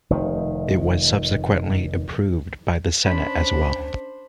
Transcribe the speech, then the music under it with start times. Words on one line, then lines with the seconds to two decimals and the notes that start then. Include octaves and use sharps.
It was subsequently approved by the Senate as well.
0.10 F1 D#3
3.05 C#4 D4 C5 B5